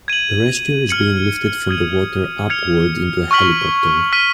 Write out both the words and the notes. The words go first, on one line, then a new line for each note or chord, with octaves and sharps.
A rescuer is being lifted from the water upward into a helicopter.
G#6 D#7 F#7
F6 G#6 C#7 F#7
D#6 G#6 D#7 F#7
F6 G#6 C#7 F7
C#6 F6 B6 F#7
F6 B6 D#7